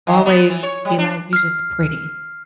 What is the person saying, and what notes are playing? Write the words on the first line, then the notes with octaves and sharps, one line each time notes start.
always be like, "You're just pretty,
D#3
B3
E3
C#5
G3
D4
F6 C7